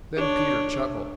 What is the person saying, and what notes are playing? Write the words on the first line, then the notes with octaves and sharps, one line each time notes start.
Then Peter chuckled.
D4 C#5